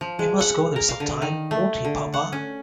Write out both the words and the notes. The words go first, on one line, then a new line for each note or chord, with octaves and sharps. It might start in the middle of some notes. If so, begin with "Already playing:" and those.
We must go there some time, won't we, papa?'
F3
G#3
F#5
A#4
F5
D3
D#3
A3
D3
F#5
C#4